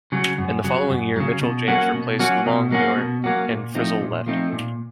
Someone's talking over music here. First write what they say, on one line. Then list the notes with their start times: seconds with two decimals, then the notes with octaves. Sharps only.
In the following year, Mitchell James replaced Longmuir and Frizell left.
0.12 C#3 F#3
0.38 F#2
0.64 C#3 F#3
0.90 F#2
1.16 C#3 F#3
1.42 B2
1.68 F#3 A#3 C#4 F#4
1.94 B2
2.19 F#3 A#3 C#4 F#4
2.46 B2
2.71 F#3 A#3 C#4 F#4
2.97 B2
3.24 F#3 A#3 C#4 F#4
3.49 A#2
3.75 F3 A3 C4 D#4
4.01 A#2
4.26 F3 A3 C4 D#4
4.53 A#2